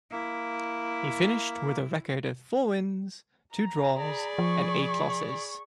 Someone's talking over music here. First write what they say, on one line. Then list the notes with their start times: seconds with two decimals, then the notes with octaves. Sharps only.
He finished with a record of four wins, two draws, and eight losses.
0.11 A#3 E4
3.55 A#5
3.96 G#4 D5 B5
4.38 F3 C#6